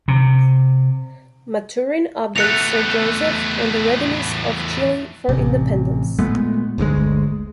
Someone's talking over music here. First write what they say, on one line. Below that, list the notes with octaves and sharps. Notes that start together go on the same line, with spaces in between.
Maturin updates Sir Joseph on the readiness of Chile for independence.
C3
E2 A3 F#6 C#7 F7
A1 C3
A#2 G#3 A3 B3
G1 D2 B2 G#3